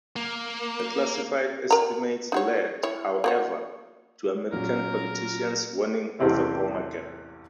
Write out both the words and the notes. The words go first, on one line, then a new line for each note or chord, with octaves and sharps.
The classified estimates led, however, to American politicians warning of a "bomber gap".
A#3
A#4 A#5
D#4 F#4 C#5
E4 C#5
A#3 F#4 C#5
A#2 F#3 C#4 A#4
A1 E2 C3 C4 G4 E5